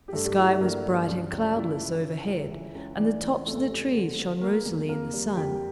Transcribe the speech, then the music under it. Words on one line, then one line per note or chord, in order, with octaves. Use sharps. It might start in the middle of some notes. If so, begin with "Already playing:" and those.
The sky was bright and cloudless overhead, and the tops of the trees shone rosily in the sun.
G4
G2 A3 A4
G3 G4
G3 E4
D4
G2 A#3 A#4
G2
C#2 D4 D5
C#2
C#2 E4 E5
C#3
C#3
C#2
E3
C#2
E3 D4 D5
E3
F2 A3 A4
G3
D3
D3
A3 A#3 A#4
E2
F2 A#3 A#4
G3
F2 G4 G5